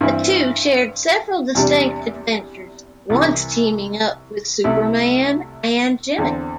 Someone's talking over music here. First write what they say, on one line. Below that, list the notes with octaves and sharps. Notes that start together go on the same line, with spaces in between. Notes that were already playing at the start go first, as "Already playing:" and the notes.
The two shared several distinct adventures, once teaming up with Superman and Jimmy.
G2 E3 C4 E4
E2 C3 G3 D4
C2 C3 E3
C2 C3 A3 E4
E2 D3 C4